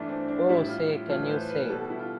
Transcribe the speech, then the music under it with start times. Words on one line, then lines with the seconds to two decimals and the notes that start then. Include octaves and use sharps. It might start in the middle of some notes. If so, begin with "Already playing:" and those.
Oh Say Can You Say?
Already playing: G2 E3 A3 D4
0.09 C4
0.28 D4
0.49 A2 G3 E4
0.69 F4
0.88 F4
1.09 A2 E3 A3 F4
1.22 B4
1.29 C5
1.50 B4
1.69 B2 G3 A4
1.90 E4
1.99 F4